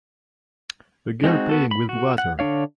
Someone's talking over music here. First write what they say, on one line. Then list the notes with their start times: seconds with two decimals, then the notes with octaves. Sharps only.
A girl playing with water.
1.24 G#3 C4 D#4 F#4
1.49 B3 F#4 A4
1.71 B5
1.89 F#4
2.18 F#5
2.39 D3 D4 C#5 F5